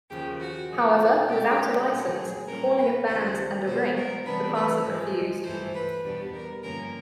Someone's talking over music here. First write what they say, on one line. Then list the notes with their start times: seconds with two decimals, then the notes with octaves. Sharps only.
However, without a licence, calling of banns, and a ring, the parson refused.
0.10 D#2 C#3 F3 G4
0.40 F#4
0.69 A#2 F3 G#3
1.29 B2 G#3 C4 G4
1.88 A#2 F#3 A3 C#4
2.18 G#4
2.47 A#2 G3 A#3 C#4 A#4
2.77 B4
3.07 D#2 C#3 F3 C5
3.66 B2 G#3 B3 C5
3.97 A#4
4.25 C3 E3 G3 B3 D4 B4
4.55 B4
4.85 G#2 F3 G#3
5.44 G2 E3 A3 C5
5.74 B4
6.04 E2 B2 G3 B3 D4
6.34 A#4
6.63 G2 D3 F3 A#3 C#4 A#4